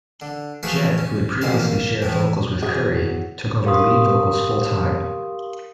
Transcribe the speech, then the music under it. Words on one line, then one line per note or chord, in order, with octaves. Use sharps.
Jett, who had previously shared vocals with Currie, took over lead vocals full-time.
D3
E3 F3 A3 F#4 G#4 C#6
C#4
A1 F2 G#2 G3 A#3 C5
A#3
A2 E3
E3 F#3 G#4
G4 A#4 F5 C6 D#6